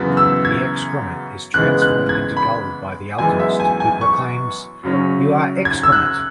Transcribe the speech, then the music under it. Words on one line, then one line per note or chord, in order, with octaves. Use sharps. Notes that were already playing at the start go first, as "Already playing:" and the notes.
The excrement is transformed into gold by the alchemist, who proclaims: You are excrement.
Already playing: F#2 C#3 E3 B3
E6
G#6
C#3 E3 G#3 B3 F#6
F#6
G#6
B5
F#2 E3 G#3 B3 G#5
E5
G#5
G#5
C#6
F#2 C#3 F#3 C#4
G#6
E6
F#6